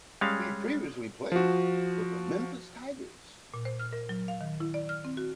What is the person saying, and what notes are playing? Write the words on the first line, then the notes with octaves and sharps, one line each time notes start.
He previously played for the Memphis Tigers.
G3 G#3 C#4 F5
F3 F#4
A#2
C5
F6
A#4
F#3
F5
D#3
E4
D5
F6
C4
F#4